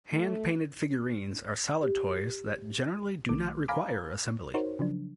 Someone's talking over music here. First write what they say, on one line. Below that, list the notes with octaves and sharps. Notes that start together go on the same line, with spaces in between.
Hand-painted figurines are solid toys that generally do not require assembly.
A3
G4
B1 D#3 A3 D6
F5 G#5 A#5 B5 D6
D#4 F#4 A#4 C5 C#5
C#3 F3 F#3 D4